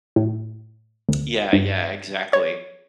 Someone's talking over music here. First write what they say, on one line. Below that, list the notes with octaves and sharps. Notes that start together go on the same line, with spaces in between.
Yeah, yeah, exactly.
A2
D2
G2
C#5